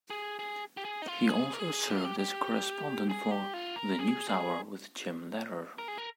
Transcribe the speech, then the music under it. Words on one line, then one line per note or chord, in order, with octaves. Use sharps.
He also served as a correspondent for "The News Hour with Jim Lehrer".
G#4
G#4
G4
G#4
D#4
F4
G#4
A#4
G#4
G4
F4
G4
G4
G#4
G4
F4
A#4
G#4
G#4
A#4
G#4
A#4